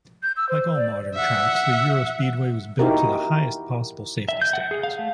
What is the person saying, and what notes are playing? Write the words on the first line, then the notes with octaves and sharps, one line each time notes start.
Like all modern tracks, the EuroSpeedway was built to the highest possible safety standards.
G6
E6
C5
D5
E5 F#5
D#4 E4 F#4 G4 A#4
E5
G6
F#5
G#4
F5
A3